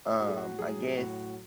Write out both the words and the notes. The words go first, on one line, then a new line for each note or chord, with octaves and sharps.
um, I guess
A2 F#4
G#4
F#4
F#3 G#4
A2 F#4